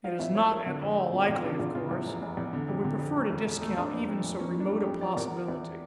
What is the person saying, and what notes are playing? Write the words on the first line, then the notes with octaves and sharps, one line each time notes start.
It is not at all likely, of course; but we prefer to discount even so remote a possibility.
F3 F5
A1 E5
A2 C#5
F3 A#4
D3
F2
A3
D3
E2 F4
C#3 D4
E2 F4
C#3 F4
E2 E4
F1
F1
E2
D3
F2
D3
F2
E1
E1
E1
A3
F1 D4
F1
F2
F1
A#3 C#4
E3
D4
G3
G4
F2
F3 D5
E2 A#4
F3
E2 E4